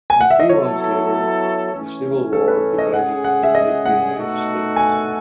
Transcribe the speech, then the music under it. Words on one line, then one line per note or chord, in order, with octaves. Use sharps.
A few months later, the Civil War divided the United States.
G#5
F#5
E5
D#5
F#3 B3 E4 A4 C#5
E3 A3 C#4
A4
B4
D#5
G#3 C#4 G#4 F#5
F#5
E5
D#5
F#5
B2 A3 D#4 F#4 A4
G#5